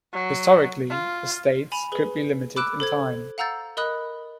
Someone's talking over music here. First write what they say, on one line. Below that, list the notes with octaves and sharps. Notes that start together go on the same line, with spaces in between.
Historically, estates could be limited in time.
F#3
F4
G#5 B5 F7
G#4 B4 G7
B5 D6 E6 F#6 D7 E7
A4 C5 G#6
F5 F#5 A#5 E6 G6 A6
A#4 D#5 B5 D#6 F#6